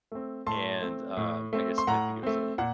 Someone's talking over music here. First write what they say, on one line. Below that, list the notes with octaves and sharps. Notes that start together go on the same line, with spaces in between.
and, uh, I guess I think it was in
A3 C4
A2 A5 C6
A3 C4
A2
A3 C4
C6
A2 F#5 A#5
A3 C4
A#2 F#5